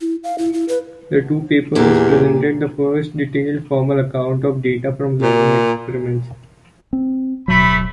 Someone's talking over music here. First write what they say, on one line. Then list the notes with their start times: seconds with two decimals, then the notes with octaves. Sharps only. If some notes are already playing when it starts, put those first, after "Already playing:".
These two papers presented the first detailed formal accounts of data from learning experiments.
0.01 E4
0.24 F5
0.38 E4
0.53 E4
0.69 B4
1.75 E2 A#2 G4
5.22 A#2
6.93 C4
7.48 D1 B2 F#3 A3 B5